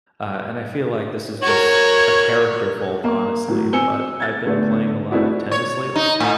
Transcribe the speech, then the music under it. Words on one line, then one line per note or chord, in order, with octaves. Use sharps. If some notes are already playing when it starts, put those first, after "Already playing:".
uh, and I feel like this is just a character fault, honestly. What I've been playing a lot of tennis late
F#4 A#4 C#5
A#3
A2 F#3
C4 G#5 E6 C#7 G7
G#6 A6
D3 A3 B3
A3 C4 D4 E4 F#4
C#5
D#4
A2